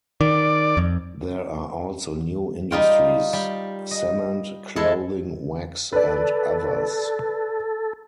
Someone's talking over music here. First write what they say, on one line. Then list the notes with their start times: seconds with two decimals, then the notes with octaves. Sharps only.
There are also new industries: cement, clothing, wax and others.
0.21 D#3 D5
0.77 F2
2.71 G3 D#4 F4 G5
3.33 G3
3.91 D#5
4.76 G#3 E4 A4
5.93 A4 B4 D5